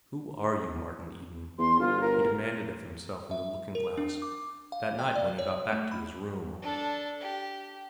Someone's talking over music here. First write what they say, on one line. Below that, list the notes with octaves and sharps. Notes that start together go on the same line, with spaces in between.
Who are you, Martin Eden? he demanded of himself in the looking-glass, that night when he got back to his room.
E2 C6
G1 F4
A#4
E5
A#4
D4
D6
F5
G5
D5
C#5
A3
B5
D4 A4
G4